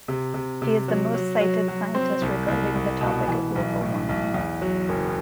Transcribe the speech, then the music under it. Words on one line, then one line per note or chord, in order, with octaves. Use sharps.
He is the most cited scientist regarding the topic of global warming.
C3
C3
C3
F#3
F#3
F#3
F#3
C4
C2
C2
C2
B2
E3
B1
A2
B1
E2
F#3
F#1